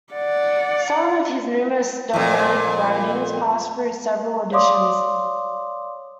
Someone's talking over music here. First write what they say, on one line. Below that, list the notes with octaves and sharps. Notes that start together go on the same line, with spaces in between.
Some of his numerous dogmatic writings passed through several editions.
D5 F#5
F2 A#2
C#5 D5 F5 C6 D6 D#6